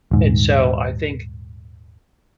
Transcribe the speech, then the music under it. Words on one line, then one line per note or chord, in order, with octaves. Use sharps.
and so I think
D#1 G#2